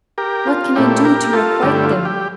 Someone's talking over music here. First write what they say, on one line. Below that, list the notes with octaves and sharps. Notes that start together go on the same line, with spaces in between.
What can I do to requite them?
G4 A#4
F4
A#2 A3 E4 G4
G4 A#4
F4 A4
G2 D3 A3 E4 G4
F4
G4